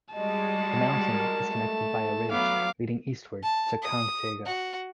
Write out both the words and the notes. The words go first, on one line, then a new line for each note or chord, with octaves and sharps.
The mountain is connected by a ridge leading eastward to Kangtega.
G3 G#3 F#4 D#5 A5
A#4
A3
F#3 B3 F5 D6
A5
D#6
F#4